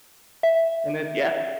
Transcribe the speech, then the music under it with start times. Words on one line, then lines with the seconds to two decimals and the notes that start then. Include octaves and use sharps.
and it yeah.
0.43 E5